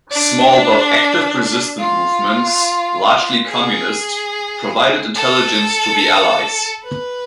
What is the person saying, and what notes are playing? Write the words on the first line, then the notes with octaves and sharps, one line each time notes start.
Small but active resistance movements, largely Communist, provided intelligence to the Allies.
D4
F4
G#4
A4
B4